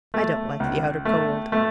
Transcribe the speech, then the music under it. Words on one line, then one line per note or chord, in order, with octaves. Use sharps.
I don't like the outer Cold.'
A3
C#2
A3
A3